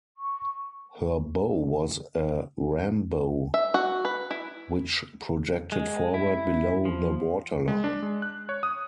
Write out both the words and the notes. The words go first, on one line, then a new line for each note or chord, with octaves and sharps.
Her bow was a "ram bow" which projected forward below the waterline.
C#6
E5
F#4
B4
E4
G#3
E4
F3
G#3
D4
G#3
F#6
C#5
D#6